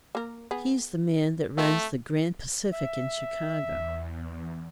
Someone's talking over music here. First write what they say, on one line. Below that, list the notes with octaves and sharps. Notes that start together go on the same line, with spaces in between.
"He's the man that runs the Grand Pacific in Chicago."
A#3 A#4
B3 G#4
A3 C4 F4
E5
E2